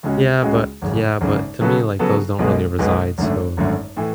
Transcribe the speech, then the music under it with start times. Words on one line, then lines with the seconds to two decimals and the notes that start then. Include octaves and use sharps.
Yeah, but yeah, but to me, like, those don't really reside so
0.03 C#2 C#3 G#3 C#4 F#4
0.42 C#2 C#3 G#3 C#4 F#4
0.82 G#1 F#2 C#3
1.21 G#1 F#2 C#3
1.61 C#3 F#3 B3 F#4 A4
1.99 C#3 F#3 B3 F#4 A4
2.39 B1 B2 G#3 B3
2.79 B1 B2 G#3 B3
3.18 G#1 F#2 D3 A3
3.57 G#1 F#2 D3 A3
3.97 A2 E3